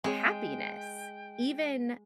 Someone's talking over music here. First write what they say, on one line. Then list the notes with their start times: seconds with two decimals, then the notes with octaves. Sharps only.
happiness even
0.04 G#3 C4 G#4 C#5 G5